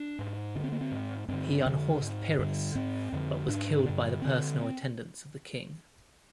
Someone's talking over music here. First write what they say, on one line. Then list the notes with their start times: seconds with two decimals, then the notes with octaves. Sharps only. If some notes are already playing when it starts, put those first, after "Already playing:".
He unhorsed Pyrrhus but was killed by the personal attendants of the king.
Already playing: D4
0.19 G#2
0.55 D3 D4
0.59 G2
0.64 C4
0.72 A#3
0.81 C4
0.91 G#2
1.28 G2 D3 C4
1.66 F2 D3
2.01 G#2
2.39 G2 D3
2.75 G#2 C4
3.12 F2 D3
3.48 G#2 D4
3.85 G2 D3
4.22 D3 C4